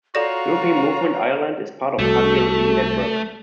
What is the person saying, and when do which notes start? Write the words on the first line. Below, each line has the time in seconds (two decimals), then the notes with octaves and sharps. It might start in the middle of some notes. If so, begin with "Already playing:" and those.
European Movement Ireland is part of a pan-European network.
0.15 F4 F#4 A4 C#5 D5 F5 A#5 A#6
1.99 C2 A3 F#4 A4